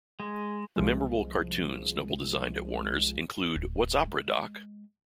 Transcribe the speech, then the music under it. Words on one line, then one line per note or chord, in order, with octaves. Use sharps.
The memorable cartoons Noble designed at Warners include What's Opera, Doc?
G#3
C2 F3 G#3
D1
G#3